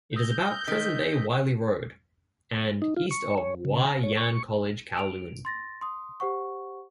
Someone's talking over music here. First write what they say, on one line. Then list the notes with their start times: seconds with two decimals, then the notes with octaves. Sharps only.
It is about present-day Wylie Road and east of Wah Yan College, Kowloon.
0.16 D#6 E6 G6 A#6
0.68 D#3 B6
2.82 D#4
2.97 F4
3.11 C#6
3.38 C#5
3.65 C#3
3.87 A#5
4.03 C#5
4.17 C#6
4.97 D7 F7
5.45 C6 A6 A#6
5.81 C6 D#6
6.20 G4 C5 F#5 C#6